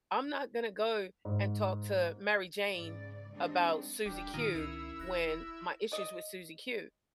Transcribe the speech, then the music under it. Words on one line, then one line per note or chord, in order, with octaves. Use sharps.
I'm not gonna go and talk to Mary Jane about Susie Q, when my issues with Susie Q
G#2
G#2 C#3 D5
G3 G#3 C4 D4 D#4
D#1 G3 D4
A#2 D#3 D#4 F4
C#2 C#4 E4 A#4 C7
E1 F#6 A#6
D5 D#5